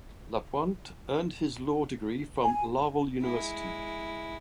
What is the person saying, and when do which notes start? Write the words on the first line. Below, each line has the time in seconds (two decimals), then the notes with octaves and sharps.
Lapointe earned his law degree from Laval University.
2.42 G#5
3.22 G#3 E4